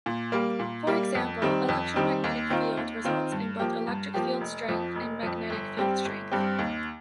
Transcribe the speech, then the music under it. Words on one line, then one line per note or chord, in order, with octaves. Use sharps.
For example, electromagnetic field results in both electric field strength and magnetic field strength.
A#2
G3 A#3
A#2
G3 A#3
F2
D#3 G3 C4
F2
D#3 G3 C4
D#2
D#3 C4 F4
D#2
D#3 C4 F4
G2
F3 A#3 G4
G2
F3 A#3 G4
F1
F2 F3
F1
F2 F3
G1
G2 G3 C4 G4
G1
G2 G3 C4 G4
D#2